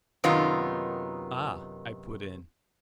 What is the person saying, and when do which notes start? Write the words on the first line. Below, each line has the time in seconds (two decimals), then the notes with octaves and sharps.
"Ah!" I put in.
0.24 F#2 C3 D#3 B3 D#4 F4